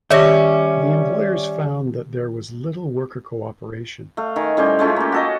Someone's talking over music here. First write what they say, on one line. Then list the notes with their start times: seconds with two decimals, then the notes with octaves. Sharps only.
The employers found that there was little worker co-operation.
0.11 D#3 G3 C#4 G4 E5 A#6
4.17 A3 F5
4.36 D#3 G#5
4.57 A2 G3 C#4 C5
4.79 G#3 A3 C#4 F4
4.96 A#3 G4
5.12 F#4 A4 D#5